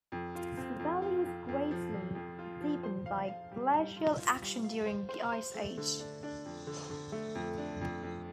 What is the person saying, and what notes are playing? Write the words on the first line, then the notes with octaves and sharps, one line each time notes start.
The valley was greatly deepened by glacial action during the Ice age.
F2
F4
C4
F2
F4
F2
F2
F3
F2
F2
F4
F3
C5
F5
F5
G3
G3
F4
F4
G3
F5
C5
C5
C5
A3
D3
D4
D4
F2
D3
D3
A3
F2
D4
F2
F2